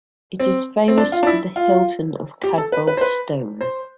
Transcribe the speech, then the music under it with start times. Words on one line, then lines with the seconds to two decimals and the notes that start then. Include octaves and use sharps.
It is famous for the Hilton of Cadboll Stone.
0.40 C4
0.88 C4
0.98 D4
1.12 F4
1.23 D4
1.27 E4
1.56 F4
2.43 G4
2.58 A4
2.72 B4
2.87 B4
2.97 C5
3.01 B4
3.61 C5